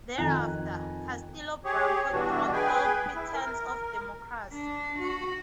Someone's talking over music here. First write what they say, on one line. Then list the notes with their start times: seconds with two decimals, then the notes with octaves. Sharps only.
Thereafter, Castelo Branco dropped all pretense of democracy.
0.18 F2 D#3 G#5 A#5 F#6
1.65 G4 G#4 C#5
2.12 B2 E3 G3 D4 F#4
2.53 G#4 B4 G5 G#5
3.15 E4
3.34 A#4
4.53 D4
4.99 F#4